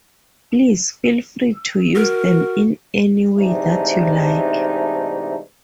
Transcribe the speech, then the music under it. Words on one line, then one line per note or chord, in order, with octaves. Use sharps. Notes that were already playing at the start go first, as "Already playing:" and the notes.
Please feel free to use them in any way that you like.
F#4 A#4
G#2 C3 E3 A3 D4 D#4